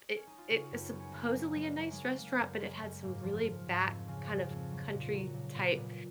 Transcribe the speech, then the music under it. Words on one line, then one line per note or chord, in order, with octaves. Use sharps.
it it is supposedly a nice restaurant, but it had some really back, kind of, country type,
C#4
D#4
F4
C#3 F#4
F#2
F#3 B3
C#4
B3
C#3
F#3 A#3
F#3 B3
A#3
F#3
G#3
F#3
C#3 A#3
F#2
F#3 G#3
F#2
G#2 A#3
F3
F3
G#2
F2
C#3
F3
F2
F#3
A#2
F#3
A#2
A#2 B3
A#2